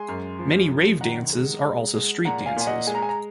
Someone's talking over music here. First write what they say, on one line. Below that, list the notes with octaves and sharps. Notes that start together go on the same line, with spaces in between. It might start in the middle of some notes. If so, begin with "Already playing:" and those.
Many rave dances are also street dances.
Already playing: G#3 G#5 C6
F#2
F3
F#2
D#3 F#5 A#5
G#3
G#3
G#3
A#2 F#5 A#5
F5 G#5
A#2 G#5
D#5 F#5
G#3 G#5
A#5
G#5
A#5